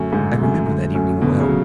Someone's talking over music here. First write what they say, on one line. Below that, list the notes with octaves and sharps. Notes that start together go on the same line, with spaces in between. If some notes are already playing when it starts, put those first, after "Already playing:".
I remember that evening well.
Already playing: F#2 D3 F#3 A3 C#4
G#2 D3
F#3 A3 C#4
D3
F#3 A3 C#4
B2 D3
C#3
F#3